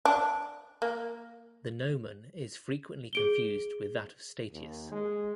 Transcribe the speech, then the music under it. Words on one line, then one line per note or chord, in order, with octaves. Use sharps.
The nomen is frequently confused with that of "Statius".
D4
A#3
G#4 D7 G7
D#2
G#3